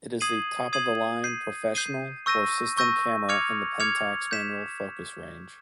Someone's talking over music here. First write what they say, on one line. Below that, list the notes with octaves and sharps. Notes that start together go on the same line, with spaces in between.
It is the top-of-the-line "professional" or "system" camera in the Pentax manual focus range.
D#6 G#6 C7 D#7 F#7
D#6 G#6 C7 D#7 F#7
G6 C7 D#7
G6 C7 D#7
C#6 E6 G6 A#6 D#7
C#6 E6 G6 A#6 D#7
D6 F6 G#6 C#7 F7
D6 F6 G#6 C#7 F7
G6 B6 E7